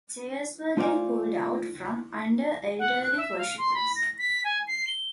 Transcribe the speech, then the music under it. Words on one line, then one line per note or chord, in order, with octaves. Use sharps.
Chairs were then pulled out from under elderly worshipers.
A3 F4 C5 D5 F5 G#5
F#5
F#6
E5
F5
C6
B5
A#6
B6
G#5
C7
G7